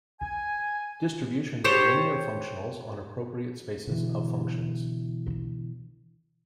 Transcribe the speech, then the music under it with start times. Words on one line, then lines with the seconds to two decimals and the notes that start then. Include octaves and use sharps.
Distributions are linear functionals on appropriate spaces of functions.
0.21 G#5
1.64 G4 C5 C#5 A5
3.87 B2 D3 E3